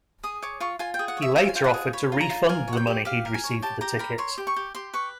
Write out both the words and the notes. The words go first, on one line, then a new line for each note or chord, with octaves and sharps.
He later offered to refund the money he received for the tickets.
G#4 D#6
C#5 D6
F4 C#6
F4 G#5
G5
G#4
F#5
C#5
E5
F4 E5
G#5
F4 G5
F#5
G#4
C#5 B5
F4
A#5
F4
A#4 G#5
C#5
F#5
G5
G4
G4 F5
A#4
G#5
C#5
G4 A5
G4 A#5
A#4 B5
C#5 C6
G4
C#6
G4
G4 C6
B4 C#6